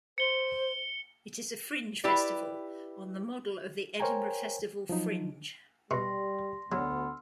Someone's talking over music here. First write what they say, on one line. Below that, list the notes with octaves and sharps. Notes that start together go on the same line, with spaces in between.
It is a fringe festival, on the model of the Edinburgh Festival Fringe.
C5 C#7 G7
E4 G4 B4 D5
A#4 C5 C#5 G5 G#5 A#5
F3 F#3 D#4
B2 G3 C6 A#6
D2 F#3 B3 C6 E6 F6